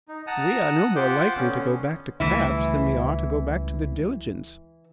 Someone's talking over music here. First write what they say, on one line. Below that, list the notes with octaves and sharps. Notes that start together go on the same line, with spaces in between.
We are no more likely to go back to cabs than we are to go back to the diligence.
D#4
F#5 A5 A#5 D#6
F#5 D#6
F4 G4 C5 F#5 D6 G6
D3 B3 C#4
C#2 E3 G3 A3 E4